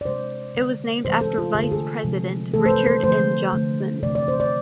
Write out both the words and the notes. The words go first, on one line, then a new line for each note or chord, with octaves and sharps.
It was named after Vice President Richard M. Johnson.
D5
C3 G#3 C5
D3 G#3
C3 E3 G#3 C5
A4
F4
D3 A3 G#4
A4
G#4
C3 F3 G#3
C3 E3 A3 A4
C5
B4
C5
D3 F3 A3 C5
D3 A3
C3 E3 A3 D5
D5
C5
D5